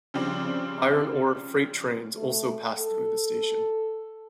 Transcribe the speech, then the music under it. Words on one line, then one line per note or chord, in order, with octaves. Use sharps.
Iron ore freight trains also passed through the station.
C#3 F3 G3 C4 D4
A3
A4